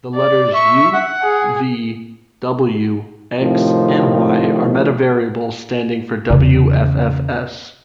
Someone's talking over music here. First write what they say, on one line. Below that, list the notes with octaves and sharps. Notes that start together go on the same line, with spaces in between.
The letters "U", "V", "W", "X", and "Y" are metavariables standing for wffs.
D5
E5 C#6
F#5
G#4
A2 C3 D#3 F3 C4
E2 C#3